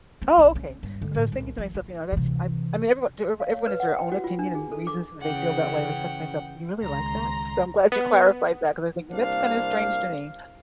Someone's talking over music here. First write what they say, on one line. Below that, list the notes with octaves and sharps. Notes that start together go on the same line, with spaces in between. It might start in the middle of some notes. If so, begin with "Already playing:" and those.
Oh, okay. 'Cause I was thinking to myself, you know, that's I I mean, everyone d everyone has their own opinion and reasons that they feel that way. I said to myself, "You really like that?" So I'm glad you clarified that 'cause I was thinking, "That's kinda strange to me."
C4
B1
C#4
G2
D3
A2
C2
F3
E4
C3 E3
F5
C#5
B4
F#5
G5
F#4
F4
D4
G#4
A4
D6
C#3 E3 C#4 F#5 G5
C#2 D#3 A#5 C6 A#6
B3
C2 A#3 D4 C5 F5